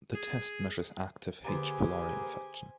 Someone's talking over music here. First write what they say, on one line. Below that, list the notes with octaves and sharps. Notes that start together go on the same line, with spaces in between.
The test measures active "H. pylori" infection.
G#4
D3 A#3 G4 G#4 B4 C5 G#5 A#5